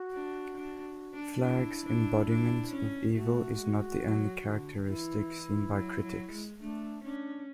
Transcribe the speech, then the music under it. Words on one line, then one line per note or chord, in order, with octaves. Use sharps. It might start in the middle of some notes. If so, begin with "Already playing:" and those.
Flagg's embodiment of evil is not the only characteristic seen by critics.
Already playing: F#4
D4
D4
D4
D4 E4
D4
D4
C#4
A3 F#4
G#3
F#3
D3
E3 E4
F#3
F#3
G#3
A3 D4
C#4 D4